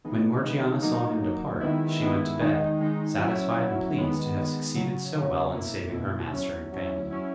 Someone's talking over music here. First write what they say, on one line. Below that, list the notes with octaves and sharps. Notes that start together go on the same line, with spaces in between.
When Morgiana saw him depart, she went to bed, satisfied and pleased to have succeeded so well in saving her master and family.
E3 G#3 B3 D#4
E3 G#3 B3 D#4
F#3 A#3 D#4
F#3 A#3 D#4
D#3 G#3 B3 E4
D#3 G#3 B3 E4
D#3 G#3 D#4
D#3 G#3 D#4
F#3 C#4 E4
F#3 C#4 E4
D#3 G#3 B3
D#3 G#3 B3
C#3 F#3 C#4
C#3 F#3 C#4
B2 A#3 E4
B2 A#3 E4
F#3 C#4 E4
F#3 C#4 E4
F#3 C#4 E4